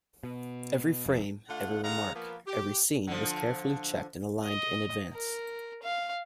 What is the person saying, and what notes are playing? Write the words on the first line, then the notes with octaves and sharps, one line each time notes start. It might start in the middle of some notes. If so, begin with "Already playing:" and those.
Every frame, every remark, every scene was carefully checked and aligned in advance.
B2
F1
D3 A3 F4 F#5
D3 D#3 G#3 F5 F#5 A#5
F3 A#3 B3
G4
D3 F3
D#5
A#4
F5